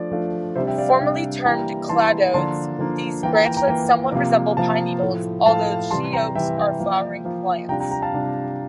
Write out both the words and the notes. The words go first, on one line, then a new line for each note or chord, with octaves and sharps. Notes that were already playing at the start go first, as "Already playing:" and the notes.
Formally termed cladodes, these branchlets somewhat resemble pine needles, although sheoaks are flowering plants.
Already playing: F3 A3 D4 F4 D5
F3 A3 D4 F4
C3 G3 D4 C5 E5
E5 G5
D5 F5
E5 G5
C3 G3 D4
E3 G3 A#3 E4 G5 A#5
E3 G3 A#3 E4 A5 C6
D3 F3 A#3 D4 A5 C6
D3 F3 A#3 D4
E3 A#3 F4 G5 A#5
G5 A#5
G5 A#5
G5 A#5
E3 A#3 F4 G5 A#5
C3 F3 A#3 F4
C3 F3 A#3 F4 F5 A5
A2 F3 A3
A2 F3 A3 F5 A5
C3 E3 G3 A5 C6
G5 A#5
C3 E3 G3 E5 G5
E5 G5
F3 A#3 F4
F3 A#3 F4
C3 G3 D4 F4 G5 A#5
G5 A#5
G5 A#5
F5 A5
C3 G3 D4 F4